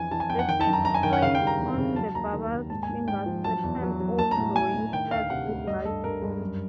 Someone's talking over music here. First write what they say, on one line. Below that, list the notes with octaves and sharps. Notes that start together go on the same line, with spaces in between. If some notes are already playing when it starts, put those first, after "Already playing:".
The priests place on the barber's fingers certain old rings set with large stones.
Already playing: F2 E3 G#5
E3 A5
G#5
F2 G5
F#5
D#3 G5
A5
F#2
A#5
F#2 A#5
G#5
D#3 G5
F#5
C#3 F5
G5
G3
A#5
E2
C#3
F#3 A5
D#2 A#5
D#3
D#2
G#2 A5
G#5
G#2
G#2 G5
F3
F#3 A5
E2
F#3
F#3
F#3 A5
A#5
A2
A2 G#5
A2
D#3 G5
D2 F5
C3 F#5
D2
G2 D#5
G2 A4
G2 A#4
G2
F#2